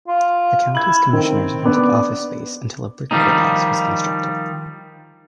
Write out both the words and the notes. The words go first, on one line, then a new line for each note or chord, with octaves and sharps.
The county's commissioners rented office space until a brick courthouse was constructed.
F4
E4 G#6 F#7
D#3 C4
B3 D4 D5
D#3 F3 G3 G#3 C4 D#4